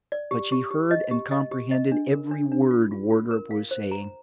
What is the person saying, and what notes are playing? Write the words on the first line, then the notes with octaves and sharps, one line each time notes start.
But she heard and comprehended every word Wardrop was saying.
D5
G4
G4
G4
D#5
G4
D#5
G4
D#5
D4
A#4
D4
D4
F4
F4
F4
A#4
F5
C5
A#5